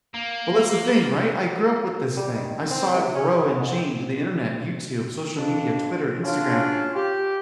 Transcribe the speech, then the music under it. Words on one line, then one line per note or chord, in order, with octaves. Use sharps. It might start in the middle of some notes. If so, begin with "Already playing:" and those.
Well, that's the thing right? I grew up with this thing. I saw it grow and change, the Internet, YouTube, social media, Twitter, Instagram,
A#3
G3
D#3
C4
C3
C#4
F#2
G#2
C4
F2 D4
C#3 F#3 C#4 D4 F4
G4